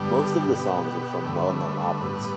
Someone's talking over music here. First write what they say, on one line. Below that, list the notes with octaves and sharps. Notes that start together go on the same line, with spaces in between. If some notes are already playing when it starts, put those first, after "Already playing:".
Most of the songs are from well-known operas.
Already playing: G2 D3 G3 B3 G4
B2 B3
G2 D3 A3 B4
A2 G3 B3